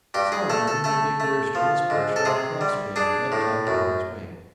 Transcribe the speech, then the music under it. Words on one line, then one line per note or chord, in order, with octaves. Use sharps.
Solomon, the big rooster, was perched on a crossbeam, head tucked under his wing.
G2 G4
G#4
A3 A4
A4
A3 A4
A3
F3
G#2
A4
C3 G#4
G3
D4 G#4
A2
F#2